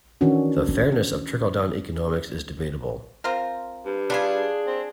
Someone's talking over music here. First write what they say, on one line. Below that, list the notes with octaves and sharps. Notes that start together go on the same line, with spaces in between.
The fairness of trickle-down economics is debatable.
D#3 E3 C#4 D4 F#4
C4 F4 A#4
G2
G3 D4 F4 G#4
C4